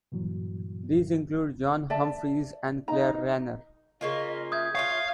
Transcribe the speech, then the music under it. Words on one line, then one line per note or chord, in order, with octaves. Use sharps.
These include John Humphrys and Claire Rayner.
G2 A#2 E3 F#3
D5 E5 A5
D#4 A#5
C#3 A#3 F4 D#5
E5 D#6 G6 G#6
F4 G4 C#5 F5